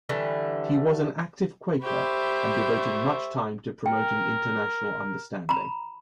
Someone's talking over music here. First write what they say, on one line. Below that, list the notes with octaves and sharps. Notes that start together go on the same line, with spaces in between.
He was an active Quaker and devoted much time to promoting international understanding.
D3 E3 G3 A3
G4 C5 E5 B5 C#6
A#4 G5
A#5 B5